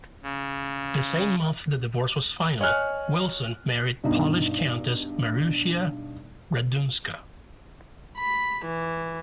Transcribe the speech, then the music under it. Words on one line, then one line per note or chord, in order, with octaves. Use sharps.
The same month the divorce was final, Wilson married Polish countess Marusia Radunska.
C#3
C#5 D#5 G#5 F6 F#6
G2 B2 D#4
B5
E3